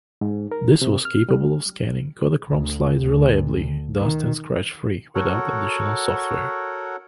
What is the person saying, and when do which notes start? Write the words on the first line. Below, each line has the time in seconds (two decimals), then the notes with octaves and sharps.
This was capable of scanning Kodachrome slides reliably, dust- and scratch-free, without additional software.
0.21 G#2
0.52 A#4
0.82 C3
1.05 F6
1.29 G3
2.51 D2
2.99 D2
3.98 D#3
5.15 F#4 A4 A#4 C#5 F#5